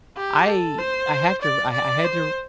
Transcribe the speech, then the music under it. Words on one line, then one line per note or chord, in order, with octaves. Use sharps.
I I have to I I had to
G4
A4
C5
D5
D5
C5